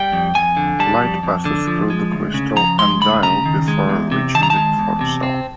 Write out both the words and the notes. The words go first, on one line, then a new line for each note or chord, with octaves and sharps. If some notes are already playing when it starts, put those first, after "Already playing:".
Light passes through the crystal and dial before reaching the photocell.
Already playing: G3 G5
F2
F2 G#5
D3
G3 A5
F2
F2
D3
F3
G#3
D2
C#3
F3 A#5
G#3 C6
D2 B5
C#3 A#5
D#3
G#3
E2
C3
D#3 A5
A#5
A5
G#3
E2
C3
C4